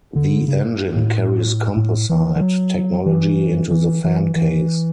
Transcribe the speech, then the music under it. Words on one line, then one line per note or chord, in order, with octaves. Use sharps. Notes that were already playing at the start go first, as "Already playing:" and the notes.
The engine carries composite technology into the fan case.
D3
C#3
A2
A2
E3
E3
F#3
E3
E3
E3
E3